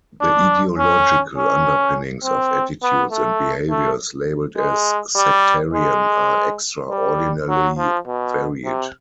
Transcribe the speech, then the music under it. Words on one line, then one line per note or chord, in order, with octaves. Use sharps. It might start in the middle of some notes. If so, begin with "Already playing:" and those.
The ideological underpinnings of attitudes and behaviours labelled as sectarian are extraordinarily varied.
D4
C#4
C#4
C4
B3
A3
A3
G#3
G3
G#3
G3
F#3
F3
B2
C3